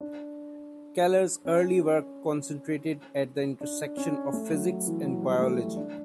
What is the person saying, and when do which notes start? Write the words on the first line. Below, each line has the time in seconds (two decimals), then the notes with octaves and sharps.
Keller's early work concentrated at the intersection of physics and biology.
0.01 D4
1.45 C#4
3.61 D4
3.97 C#4
4.33 A3
4.51 F#3
4.69 F#3
4.87 E3
5.05 F#3
5.23 G3
5.41 A3
5.77 D4